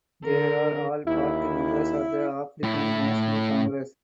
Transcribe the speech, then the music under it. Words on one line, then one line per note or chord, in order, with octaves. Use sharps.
They are all party members of the African National Congress.
D3 A#4
D#2 E4
A2 E4